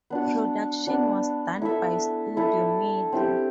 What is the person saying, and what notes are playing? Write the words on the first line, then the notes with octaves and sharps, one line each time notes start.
Production was done by Studio Media.
B3 D4 F#4
B3 D4 F#4
E4 A4 E5
E4 A4 E5
C4 E4 G4